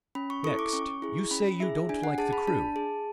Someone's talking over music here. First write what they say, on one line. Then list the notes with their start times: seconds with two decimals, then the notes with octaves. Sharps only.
Next, you say you don't like the crew.
0.15 C#4 B5
0.30 C#6
0.44 E4 A4 C#6
0.59 D6
0.73 C#4 C#6
1.02 E4 G#4
1.31 C#4 B5
1.60 E4 G#4 E5
1.89 D4 G#5
2.03 F#5
2.18 G#4 A5
2.33 B5
2.47 D4 A5
2.76 G#4